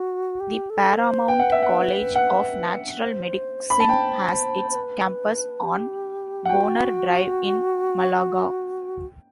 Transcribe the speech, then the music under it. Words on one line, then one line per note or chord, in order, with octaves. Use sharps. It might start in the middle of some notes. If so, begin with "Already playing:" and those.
The Paramount College of Natural Medicine has its campus on Bonner Drive in Malaga.
Already playing: F#4
G4
A4
C5
B4 G5
F#5
E5
F#5
F#5
C5
B5
A5
C5 G5
C5
B4
G4
F#5
F#4 G5